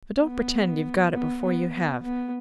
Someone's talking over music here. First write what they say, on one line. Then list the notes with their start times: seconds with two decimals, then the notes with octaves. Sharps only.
But don't pretend you've got it before you have.
0.22 B3
1.13 B3
1.42 B3
1.72 B3
2.03 B3